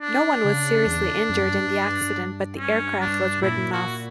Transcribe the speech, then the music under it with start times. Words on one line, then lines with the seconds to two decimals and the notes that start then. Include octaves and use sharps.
No one was seriously injured in the accident but the aircraft was written off.
0.01 D4
0.44 C#3
0.86 E2
1.29 F#2
1.50 G2
2.58 C#4
3.00 D4
3.42 A#2 E4
3.72 F#4